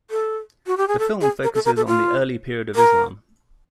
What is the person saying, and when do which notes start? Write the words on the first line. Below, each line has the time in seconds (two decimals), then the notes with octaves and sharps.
The film focuses on the early period of Islam.
0.10 A4
0.67 F#4
0.77 G4
0.88 G#4
0.99 A4
1.21 G#4
1.43 A#4
1.54 A4
1.65 A#4
1.76 A4
1.87 F4
2.75 A#4